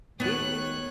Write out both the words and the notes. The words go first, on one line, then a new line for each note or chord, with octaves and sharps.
This is"
D#2 B3 C#5 F#6